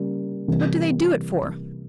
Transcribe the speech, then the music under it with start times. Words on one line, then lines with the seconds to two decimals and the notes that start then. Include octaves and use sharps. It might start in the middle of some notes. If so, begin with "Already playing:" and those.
What do they do it for?
Already playing: C#3 G3 A#3
0.48 C3 E3 G3 A#3